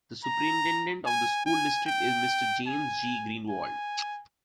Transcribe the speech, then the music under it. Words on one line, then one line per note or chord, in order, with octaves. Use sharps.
The superintendent of the school district is Mr. James J. Greenwald.
A#5
G#5
G#5
G5
G#5
G#5